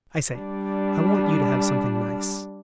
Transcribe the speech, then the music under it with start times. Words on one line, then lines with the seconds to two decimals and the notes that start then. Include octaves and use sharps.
I say, I want you to have something nice.
0.37 G3 D4